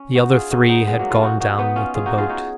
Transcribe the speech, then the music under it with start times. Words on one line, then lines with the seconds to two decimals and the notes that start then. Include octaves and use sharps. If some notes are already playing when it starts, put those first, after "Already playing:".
The other three had gone down with the boat.
Already playing: C#4
0.15 D#4 F#4
0.33 F4 G#4
0.51 D#4 F#4
0.69 B3 D#4
0.87 G#3 B3
0.99 F#3 A#3
1.10 C#4 F4
1.23 D#4 F#4
1.40 D#4 F#4
1.58 B3 D#4
1.76 C#4 F4
1.95 F4 G#4
2.06 D#4 F#4
2.18 F4 G#4
2.30 D#4 F#4